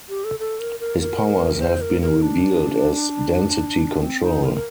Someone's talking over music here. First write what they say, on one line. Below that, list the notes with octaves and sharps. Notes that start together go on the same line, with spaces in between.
His powers have been revealed as density control.
G4
A4
A4
A#4
A#4
A#4
C5
A#4
A#4
D4
C4
D#4
A#4
A#4